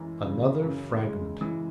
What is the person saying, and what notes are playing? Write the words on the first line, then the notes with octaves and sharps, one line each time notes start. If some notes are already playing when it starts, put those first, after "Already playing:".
Another fragment.
Already playing: F#2 E3 G#3
C#3
F#2
G#3
E3